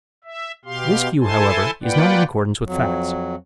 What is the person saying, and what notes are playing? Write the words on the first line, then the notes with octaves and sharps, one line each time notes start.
This view, however, is not in accordance with facts.
E5
B2 G4 F5 C6
E4 A4 C5 G#5 A5 C6
A#3 F4 B4 D5 F#5 G5
F2 F#3